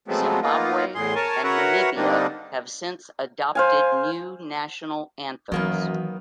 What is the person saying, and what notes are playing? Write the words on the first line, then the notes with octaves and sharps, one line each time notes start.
Zimbabwe and Namibia have since adopted new national anthems.
F3 F#3 G#3 A3 B3 C4
A#3 B3 D#4 F4
E2 A2 G#4 C6
A#4 C#5 G#5 A5
F#4 A#4 B4 C#5 E5 F#5
D3 G3 A#3 C4 D4 D#4
C5 F5 G#5
F#2 D#3 E3 F#3 A#3 B3